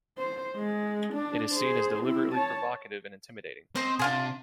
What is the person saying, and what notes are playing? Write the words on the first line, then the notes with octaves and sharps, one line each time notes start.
It is seen as deliberately provocative and intimidating.
C5
G#3
D4
G#4 C5
C4 E4
C#5 A5
C4 C5 D#5
C3 D4 F4 G#4